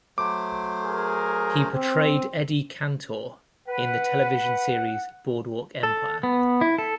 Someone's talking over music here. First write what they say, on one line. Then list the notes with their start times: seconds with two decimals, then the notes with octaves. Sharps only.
He portrayed Eddie Cantor in the television series "Boardwalk Empire".
0.18 F#3 A3 C5 D6
0.83 G#4 A#4
1.74 C4 G4
3.68 B4 F#5
5.83 A4
6.23 B3
6.61 E4
6.78 A4